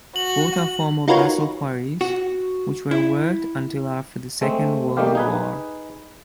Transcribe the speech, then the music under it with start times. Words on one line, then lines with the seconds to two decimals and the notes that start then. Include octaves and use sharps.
Both are former basalt quarries, which were worked until after the Second World War.
0.16 F#4 F#7
1.08 D#4 F4 F#4 A#4 B4 C#5
2.01 F#4
2.91 E4
4.41 G#3 A3 C4
4.97 G3 A3 A#3 D#4 G4 F5
5.15 D#4 G#4 B4